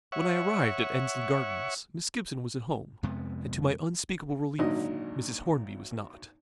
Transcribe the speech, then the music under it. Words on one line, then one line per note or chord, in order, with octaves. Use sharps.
When I arrived at Endsley Gardens, Miss Gibson was at home, and to my unspeakable relief, Mrs. Hornby was not.
C#5 E5 F#5 C#6
F2 C3 G#3 B3
G#1 A#2 D3 F#3 D#4 D#5